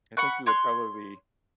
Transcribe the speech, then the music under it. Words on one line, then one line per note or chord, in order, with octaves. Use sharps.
I think you would probably
F#5 B5 C#6 F#6
C#5 C6 F#6